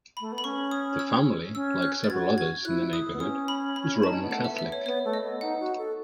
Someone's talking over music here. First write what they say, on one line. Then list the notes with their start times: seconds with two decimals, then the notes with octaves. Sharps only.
The family, like several others in the neighbourhood was Roman Catholic.
0.17 A3 B5
0.32 B3
0.38 B5
0.44 C#4 C#6
0.71 D#6
0.99 E6
1.54 C#4 E6
1.82 F#6
2.04 A6
2.10 F#4 G#6
2.38 G#6
2.65 E4 F#6
2.93 D#6
3.13 B3
3.20 C#4 D#6
3.48 B5
3.76 B5
3.95 E4
4.03 D#4 A5
4.13 C#4
4.22 B3
4.31 A3 F#5
4.44 E5
4.49 B3
4.59 E5
4.72 C#5
4.86 B3 C#5
5.05 A3
5.13 D#5
5.23 B3
5.41 D#4 F#5
5.60 F#4
5.78 A4